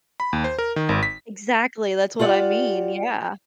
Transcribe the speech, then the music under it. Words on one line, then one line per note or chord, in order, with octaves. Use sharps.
Exactly, that's what I mean, yeah.
B5
D#2
C5
A#4
D#3
G#1
B6
F4 G4 D5 F#5